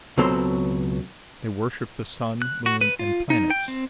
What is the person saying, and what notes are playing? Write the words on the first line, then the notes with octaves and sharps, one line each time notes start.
They worshipped the sun, moon, and planets.
C#2 B2 F#3 C4 A4 C6
F#6
F#4
B4
F4
D#4
G5
C4